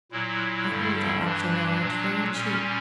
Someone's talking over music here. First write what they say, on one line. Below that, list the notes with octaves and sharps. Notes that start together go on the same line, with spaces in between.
I hold our actual knowledge very cheap.
A#2 F#3 E4
G2 D3 G3
G2 E3 G3 D4
A#2 F#3
A#2 G3 C#4